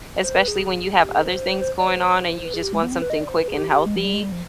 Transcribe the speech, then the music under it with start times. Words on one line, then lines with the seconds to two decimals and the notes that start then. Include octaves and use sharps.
especially when you have other things going on and you, just, want something quick and healthy
0.24 C5
0.35 B4
0.48 G#4
1.04 G4
1.14 G#4
1.23 C5
1.61 C5
1.79 D5
1.88 C5
2.45 B4
2.54 G#4
2.63 G4
2.73 G#3
2.83 B3
2.92 C4
3.02 B4
3.10 D#5
3.20 D5
3.29 C5
3.38 B4
3.48 G#4
3.57 G4
3.71 G4
3.86 G#3
3.96 F3
4.05 G3
4.14 G#3
4.23 G3
4.32 F3